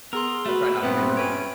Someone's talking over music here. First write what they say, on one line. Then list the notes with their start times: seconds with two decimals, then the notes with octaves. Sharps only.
I try not to be rude.
0.13 B3 G#4 A#4 C6
0.46 A3 F#4 B4 E5
0.83 G2 A#2 B3 C4 B4 E5 G5
1.17 C#4 B4 C#5 D7